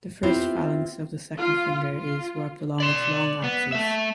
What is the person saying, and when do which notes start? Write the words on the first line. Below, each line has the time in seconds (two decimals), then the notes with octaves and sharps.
The first phalanx of the second finger is warped around its long axis.
0.23 B3 C4 E4 F4 G4
1.38 F4
1.96 F4
2.80 D5 C6
3.44 B3
3.72 A3 E5